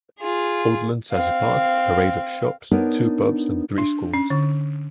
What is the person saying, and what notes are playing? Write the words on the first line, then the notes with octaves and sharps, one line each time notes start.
Oatlands has a park, parade of shops, two pubs and three schools.
F4 G#4
C4 F5
B3 D4 D#4 A#4 C#5
D4
C#4
D3